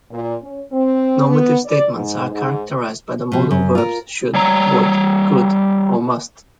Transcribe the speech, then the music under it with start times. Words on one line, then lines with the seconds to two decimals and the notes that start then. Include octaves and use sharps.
Normative statements are characterised by the modal verbs "should", "would", "could" or "must".
0.11 A#2
0.42 C#4
0.72 C4
1.27 B3
1.65 D5
1.94 G#2
2.32 G#2
3.32 B2 F3
3.51 F#2
3.75 F4 A#4
4.35 G3 C#5 A#5